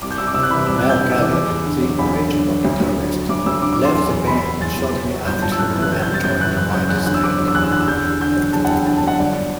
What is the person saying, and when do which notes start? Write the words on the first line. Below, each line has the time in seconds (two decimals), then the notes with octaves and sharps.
Mel Galley, the original guitarist, left the band shortly after and joined Whitesnake.
0.02 C2 D6
0.11 G6
0.18 C2 E6
0.27 D6
0.34 C3 E6
0.43 F#6
0.51 E3 B5
0.59 D6
0.67 C2 E6
0.79 F#6
0.84 C2
0.89 G6
1.01 C3
1.12 E6
1.17 E3 D6
1.33 E2 D6
1.49 E2
1.66 D3
1.82 F#3
1.99 E2 B5
2.14 E2
2.31 D3
2.48 F#3
2.64 D2
2.81 D2
2.96 D3
3.13 F#3
3.29 D2 D6
3.46 D2 E6
3.62 D3 D6
3.73 D6
3.78 F#3
3.85 C6
3.95 E2
4.11 E2
4.27 B2 B5
4.44 F#3
4.61 E2 A6
4.77 E2
4.93 B2
5.10 F#3
5.26 G1 G6
5.42 G1 A5
5.52 E6
5.59 F#2 F#6
5.75 E3
5.82 F#6
5.92 G1 G6
6.02 G6
6.07 G1
6.14 A6
6.24 F#2 G6
6.40 E3 F#6
6.57 F#1 F#6
6.74 F#3 G6
6.89 E2 F#6
6.97 G6
7.06 D3 F#6
7.14 E6
7.23 F#1 D6
7.39 F#3
7.48 E6
7.55 E2 F#6
7.64 E6
7.71 D3 F#6
7.80 E6
7.88 E2 G6
8.05 E2
8.21 D3 G6
8.37 F#3
8.53 E2 A5
8.65 F#5
8.69 E2 G5
8.86 D3 A5
8.98 A5
9.03 F#3
9.08 F#5
9.19 G1 D5